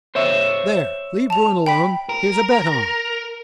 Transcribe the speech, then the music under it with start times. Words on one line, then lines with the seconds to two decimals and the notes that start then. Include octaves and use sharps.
"There, leave Bruin alone; here's a bet on."
0.15 C5 C#5 E5
1.30 A5 F7
1.66 G5 B5 B6
2.09 A#4